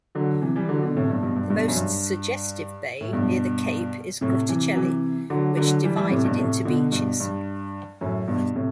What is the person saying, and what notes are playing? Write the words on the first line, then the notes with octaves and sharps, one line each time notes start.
The most suggestive bay near the Cape is Grotticelle, which divided into beaches.
D3 F#3
C3 E3
E3 G3
D3 F#3
B2 D3
A2 C3
G2 B2
G2 B2
G2
G2 B2
F#2
G2
A2
G2 B2
A2 C3
C3 E3
F#3
C3 E3
D3 F#3
D3 F#3
E3 G3
E3 G3
A2 C3
G2 B2
A2 C3
B2 D3
G2 B2
G2
F#2 A2
G2 B2
A2 C3